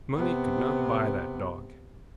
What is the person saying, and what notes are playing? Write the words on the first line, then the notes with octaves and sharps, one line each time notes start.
Money could not buy that dog.
C3 B3